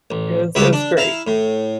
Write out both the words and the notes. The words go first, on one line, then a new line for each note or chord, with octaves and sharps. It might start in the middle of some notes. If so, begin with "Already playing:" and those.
It was it was great.
A1
C#2 G2 F#4 C#5 E5 D6
D4
E4 F5 A#5
A2